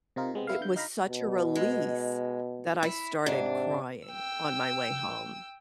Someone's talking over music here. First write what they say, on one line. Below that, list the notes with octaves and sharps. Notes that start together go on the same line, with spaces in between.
it was such a release that I started crying on my way home.
C3 C4 D#4 F4 A#4
C3 G#3 B3 C4
B3 E4 F5
D3 G6
D#4 F5 A#5 B5
B2
G#3
E4
G#2 C3 D4
G5 E6